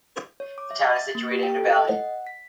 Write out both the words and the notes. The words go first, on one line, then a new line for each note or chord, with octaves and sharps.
The town is situated in a valley.
C#5
D6
E5
A6
A#3
G4
G5
A4
D#5
F#5
B6